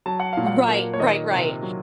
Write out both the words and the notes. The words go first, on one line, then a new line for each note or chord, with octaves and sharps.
Right, right, right.
F#3 A5
F#5
A#2 F5
F#5
A#3
C#5
D#3 D#5
C3
F#3